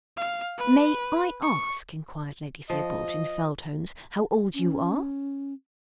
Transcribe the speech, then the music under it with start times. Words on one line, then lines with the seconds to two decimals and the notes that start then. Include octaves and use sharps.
"May I ask," inquired Lady Theobald, in fell tones, "how old you are?"
0.17 F5
0.58 B4
1.42 C#6
2.70 F3 D#5
4.54 C#4